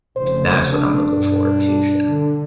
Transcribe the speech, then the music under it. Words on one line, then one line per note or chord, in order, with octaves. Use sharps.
that's what I'm looking forward to, so
F1 C#3 C5
D4
B1 G2
D3